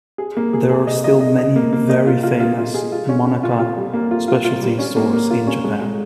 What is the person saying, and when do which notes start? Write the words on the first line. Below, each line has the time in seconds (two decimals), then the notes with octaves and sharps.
There are still many very famous monaka specialty stores in Japan.
0.18 G#4
0.37 A#3
0.53 G#4
0.70 G#4
0.87 D#5
1.04 D#5
1.21 D#5
1.38 D#5
1.56 A#3
1.73 A#3
1.89 D#5
2.07 F4
2.23 F4
2.40 F4
2.58 F4
2.74 G#4
2.92 F4
3.09 C#4
3.26 C#4
3.43 F4
3.59 F4
3.77 G3
3.94 A#3
4.11 F4
4.28 F4
4.44 F4
4.61 G3
4.79 C#4
4.96 A#3
5.13 A#3
5.30 F4
5.47 C#4
5.64 G#3
5.81 G#3